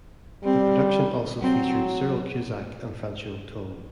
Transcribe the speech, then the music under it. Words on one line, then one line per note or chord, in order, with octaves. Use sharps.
The production also featured Cyril Cusack and Franchot Tone.
G3 C4
F#3 C4